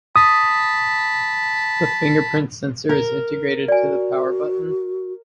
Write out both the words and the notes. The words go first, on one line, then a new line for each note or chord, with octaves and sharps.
The fingerprint sensor is integrated to the power button.
A5 B5 D#6
A#4
F#4 D5 G#5